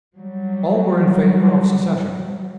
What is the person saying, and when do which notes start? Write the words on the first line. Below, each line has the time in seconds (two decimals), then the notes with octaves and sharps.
All were in favor of secession.
0.17 F#3 G3